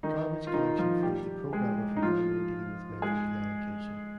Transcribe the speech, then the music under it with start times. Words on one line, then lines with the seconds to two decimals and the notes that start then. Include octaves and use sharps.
Garbage collection frees the programmer from manually dealing with memory deallocation.
0.03 D#3 D#4
0.47 F4
0.54 D#3 D#4
0.79 F3 F4
1.03 G3 G4
1.53 G#3 G#4
1.97 D#4
2.03 F3 F4
3.02 G#3 G#4